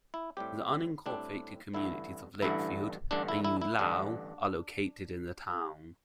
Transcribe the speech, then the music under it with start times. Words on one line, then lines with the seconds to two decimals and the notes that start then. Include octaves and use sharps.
The unincorporated communities of Lakefield, and Ulao are located in the town.
0.14 E4
0.37 A2 G3 C4 G4
1.06 A2 G3 C4 D4
1.74 A1 G2 D3 E4
2.42 A1 G2 D3 E4
3.11 A1 G2 D3 D4
3.28 E4
3.44 E4
3.61 E4
3.79 A1 G2 D3 D4